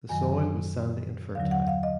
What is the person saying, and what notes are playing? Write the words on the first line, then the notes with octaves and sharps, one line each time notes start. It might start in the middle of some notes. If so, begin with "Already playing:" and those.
The soil was sandy and fertile.
F#2 D#3 F#3 G#5
D#2 D3 F#3 F5
F#5
F5
D#5